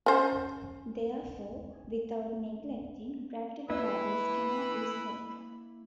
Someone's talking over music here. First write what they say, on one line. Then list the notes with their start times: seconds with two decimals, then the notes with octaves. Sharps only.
Therefore, without neglecting gravity the bubbles cannot be spherical.
0.06 C#4 C5
3.70 A#3 E4 B4 E5 B5 E6